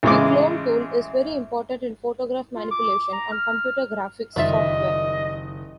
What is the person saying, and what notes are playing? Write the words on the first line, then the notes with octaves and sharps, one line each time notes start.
The "Clone" tool is very important in photograph manipulation on computer graphics software.
A1 C#3 G#3 D6
F4
D6
A#5
F6
F#1 D#3 G3 F4 D#5 E5